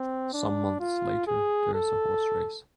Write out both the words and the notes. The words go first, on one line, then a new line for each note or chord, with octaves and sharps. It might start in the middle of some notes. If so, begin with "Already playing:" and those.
Some months later, there is a horse race.
Already playing: C4
D4
F4
G#4
A4